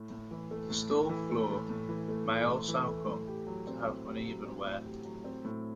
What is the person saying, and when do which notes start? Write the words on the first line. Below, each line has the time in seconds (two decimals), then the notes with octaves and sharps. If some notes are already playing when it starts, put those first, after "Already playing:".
The stall floor may also come to have uneven wear.
Already playing: A2
0.10 A2
0.31 E3
0.51 A3
0.70 A2
0.90 A2
1.09 E3
1.30 A3
1.50 A2
1.69 A2
1.89 E3
2.08 A3
2.28 A2
2.49 A2
2.68 E3
2.88 A3
3.08 A2
3.28 G4
3.46 F#3
3.67 C4
3.87 A2
4.06 G4
4.26 F#3
4.46 C4
4.65 A2
4.86 G4
5.05 F#3
5.24 C4
5.45 A2